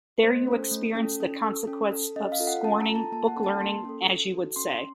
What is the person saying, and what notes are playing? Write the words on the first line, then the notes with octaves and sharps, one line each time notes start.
There you experience the consequence of scorning “book-learning,” as you would say.
A3 C5
C#4 A4
A3
C#4 A4
C#4
A4
C#4
A4
C#4 D#5
F5
F4 A4
F#5
C#4 A5
A#5
F4 A4
A5
A#3 A5
F#5
C#4 A4
A5
A#3 C6
C#4 A4
C#4
F#4 A4
C#4 C6